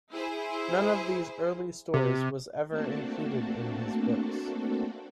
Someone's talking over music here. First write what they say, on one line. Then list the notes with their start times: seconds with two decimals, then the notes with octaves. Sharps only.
None of these early stories was ever included in his books.
0.13 E4 G#4 C5
1.94 C3
2.69 A3 A#3 C4 D4 F#4 A4